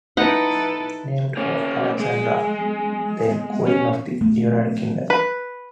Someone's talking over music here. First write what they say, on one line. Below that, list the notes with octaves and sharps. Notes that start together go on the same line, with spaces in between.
Named for Alexandra, then Queen of the United Kingdom.
D#4 E4 A4 B4 F#5
A#3 C#4
G#3
C#4
A3
B4